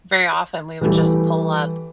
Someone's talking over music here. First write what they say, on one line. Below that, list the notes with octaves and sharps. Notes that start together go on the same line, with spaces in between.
Very often, we would just pull up
E3 G3 A3 G4